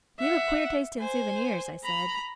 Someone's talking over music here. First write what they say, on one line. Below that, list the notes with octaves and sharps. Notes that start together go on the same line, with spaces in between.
'You've a queer taste in souvenirs,' I said.
E5 F#5
C5 G#5
A#5 B5